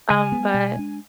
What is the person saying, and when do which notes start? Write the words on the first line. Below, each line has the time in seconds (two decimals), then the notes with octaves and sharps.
um, but
0.10 C#3 G#5
0.32 G#3 B3
0.54 B2
0.76 G#3 D4